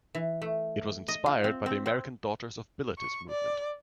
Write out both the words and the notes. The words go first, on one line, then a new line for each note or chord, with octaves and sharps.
It was inspired by the American Daughters of Bilitis movement.
E3
A3
D#5
F4
C4
C4
C4
C#6
D5